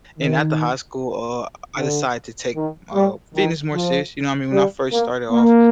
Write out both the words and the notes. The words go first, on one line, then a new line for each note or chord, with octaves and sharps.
and after high school, uh, I decided to take, uh, fitness more serious, you know what I mean? When I first started off,
D#3
D3
D#3
G3
D#3
F3
G3
A#3
A#3